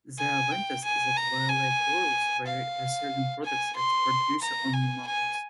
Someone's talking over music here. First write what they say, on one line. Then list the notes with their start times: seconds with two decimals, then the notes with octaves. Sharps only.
There are vendors that violate rules by reselling products at Producer Only markets.
0.18 G#5
0.51 G5
0.84 G#5
1.16 A#5
1.49 G#5
2.47 F5
3.44 G#5
3.76 C6
4.41 A#5
4.73 G#5
5.06 G#5